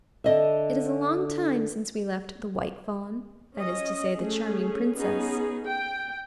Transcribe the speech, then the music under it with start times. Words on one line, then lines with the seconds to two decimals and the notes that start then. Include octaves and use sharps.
It is a long time since we left the White Fawn, that is to say the charming Princess.
0.24 D3 D#5 E5
3.55 C#4 D#5
4.14 A3 C#4 G#4
4.95 B3 C#4 D#4 G#4
5.66 G5